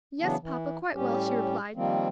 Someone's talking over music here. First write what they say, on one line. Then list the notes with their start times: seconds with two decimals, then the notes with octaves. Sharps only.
"Yes, papa, quite well," she replied.
0.21 C#3 E3 F#3 B3 D4
0.42 E3
0.94 A2 G3 C#4 G4
1.75 D#3 F3 G3 A#3 C4